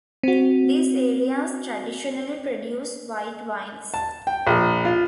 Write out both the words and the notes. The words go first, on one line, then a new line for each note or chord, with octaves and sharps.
These areas traditionally produce white wines.
C4 F#4
A5
G5
A#1
F4